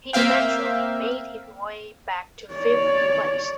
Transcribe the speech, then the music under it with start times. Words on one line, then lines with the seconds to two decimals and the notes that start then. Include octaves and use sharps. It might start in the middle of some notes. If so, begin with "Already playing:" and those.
He eventually made his way back to fifth place.
0.13 A#3 C4 E5 F5 G5
2.53 C#5 D5